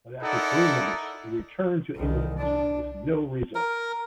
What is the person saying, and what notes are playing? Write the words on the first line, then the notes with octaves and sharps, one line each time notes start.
But after three months he returned to England with no result.
D#4 E4 A4 A#4 D5 F#5
C2 D#3
D4
A#4